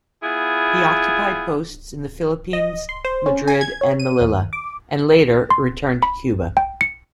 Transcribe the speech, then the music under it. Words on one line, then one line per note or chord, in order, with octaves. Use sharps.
He occupied posts in the Philippines, Madrid, and Melilla, and later returned to Cuba.
B3 E4 F4 G#4
D#5
C6
C5
C#4
G#5
G#6
C#5
D#7
D#2
D6
C6
B5
G5
C#7